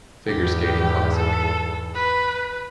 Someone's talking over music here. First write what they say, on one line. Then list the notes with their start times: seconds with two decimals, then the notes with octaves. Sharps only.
Figure Skating Classic.
0.27 E2 G#2 G4
1.15 A4
1.95 B4